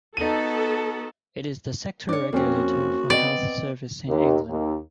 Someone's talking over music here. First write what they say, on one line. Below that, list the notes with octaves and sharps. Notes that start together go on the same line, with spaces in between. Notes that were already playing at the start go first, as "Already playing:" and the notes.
It is the sector regulator for health services in England.
B3 D#4 F#4 A4 D#7
D4 C#5 D6
F2 A#3 C4 C#4 F#4
B3 C4 D5 D#5
D#2
D#2